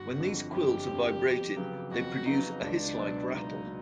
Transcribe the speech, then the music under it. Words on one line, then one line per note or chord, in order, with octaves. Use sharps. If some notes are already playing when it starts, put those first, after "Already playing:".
When these quills are vibrated, they produce a hiss-like rattle.
Already playing: G1 F#4
F2 D3
G1 G4
F2 D3
F2
C#3 F#3 B3
F2 F#4
C#3 F#3 B3 D#4
C#2 D4
B2 F#3 B3
C#2 D#4
B2